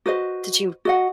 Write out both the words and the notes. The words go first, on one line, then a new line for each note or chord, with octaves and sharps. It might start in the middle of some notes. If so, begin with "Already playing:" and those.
Did you
F#4 B4 C5 D#5
F#4 D#5 F#5